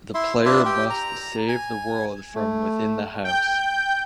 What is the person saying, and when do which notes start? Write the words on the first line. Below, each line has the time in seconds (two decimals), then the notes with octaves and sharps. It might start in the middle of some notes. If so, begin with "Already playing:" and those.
The player must save the world from within the house.
0.14 E4 E5 C6
0.45 D4 F4 B4 E5
0.65 G4 G5
0.90 A#5
1.49 G#5
2.35 A3
3.24 G5 G6